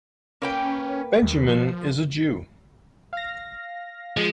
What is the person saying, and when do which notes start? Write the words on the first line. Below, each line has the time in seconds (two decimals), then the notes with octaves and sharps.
Benjamin is a Jew.
0.42 A#3 C#4 B4 G5
1.22 D#2
1.48 F3
3.13 F5 A#6
4.17 F3 G#3